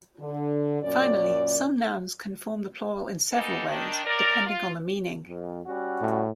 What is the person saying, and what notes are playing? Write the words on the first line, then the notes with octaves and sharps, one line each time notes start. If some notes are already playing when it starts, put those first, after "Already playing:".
Finally, some nouns can form the plural in several ways, depending on the meaning.
D3
F#2 A#2 C#4 D5
G3 G#3 A#3 B3 D#4 A4
D#3 D4
F#2 A#4 D5
F4
F2
G3 C#4 F#4
A2